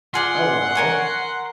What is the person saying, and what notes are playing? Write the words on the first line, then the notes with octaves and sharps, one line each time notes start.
Oh, wow.
F4 G#4 D5 F#5 C6
A#4 G#5 C#6